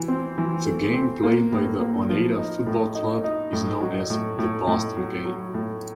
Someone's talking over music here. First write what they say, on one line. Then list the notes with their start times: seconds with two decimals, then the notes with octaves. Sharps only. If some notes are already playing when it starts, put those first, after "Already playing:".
The game played by the Oneida Football Club is known as the "Boston game".
Already playing: E3
0.08 C4
0.38 E3
0.65 A3
0.94 C4
1.23 A#3
1.52 A2
1.80 A#3
2.09 F3
2.38 D#4
2.66 A2
2.95 D#4
3.24 D#4
3.53 A2
3.81 F#3
4.10 A2
4.38 A2
4.67 A2
4.97 F#3
5.25 F#3
5.54 A2